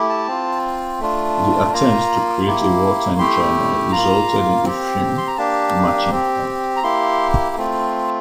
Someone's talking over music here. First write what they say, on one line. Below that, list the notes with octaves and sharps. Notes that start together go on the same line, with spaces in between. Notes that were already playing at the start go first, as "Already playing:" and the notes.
The attempt to create a wartime drama resulted in the film "Marching On!".
Already playing: A3 E4 G4
A5
C4 F4
A3 D4 F4
A#3 F4 A#5
A#3 E4 G4
A3 E4 G4 C6
A#3 F4 A#5
C4 G4
C6
A#5
A#3 D4 G4 A5
C4 G4
A#5
A#3 E4 G4 C6
A3 C4 F4